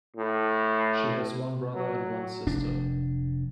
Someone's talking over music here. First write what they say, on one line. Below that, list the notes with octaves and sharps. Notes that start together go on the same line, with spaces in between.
She has one brother and one sister.
A2
F#3
F1 D4